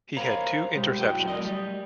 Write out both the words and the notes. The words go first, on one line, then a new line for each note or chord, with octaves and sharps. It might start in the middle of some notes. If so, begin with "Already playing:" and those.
He had two interceptions.
A#4 C5 C#5 F5 A#5 B5
B2 G#3 G4
B1 A2 F#3 F#4 G5
A3 A#4 D5 D#5
G3